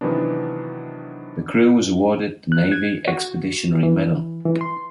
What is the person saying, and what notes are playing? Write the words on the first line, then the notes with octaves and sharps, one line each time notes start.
The crew was awarded the Navy Expeditionary Medal.
C3 D#3 E3 F#3 B3 D4
F#6
G#6
F#4
E3
E3
C6